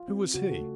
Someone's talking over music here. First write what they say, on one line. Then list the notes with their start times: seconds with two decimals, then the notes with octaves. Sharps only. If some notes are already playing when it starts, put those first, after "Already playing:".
"Who was he?"
Already playing: F4
0.08 C4
0.34 C#3 F#4
0.51 A4
0.61 A3